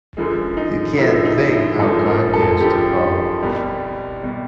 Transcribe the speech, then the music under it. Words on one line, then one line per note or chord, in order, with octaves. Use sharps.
You can't think how kind he is to Pa.
F#2 D3 F3 G#3
D#4
F#2 D3 F3 G#3 E4
D#4
E4
F#2 D3 F3 G#3 A4
A#4
A4
F#2 D3 F3 G#3 G4
C2 B2 G3
B2 G3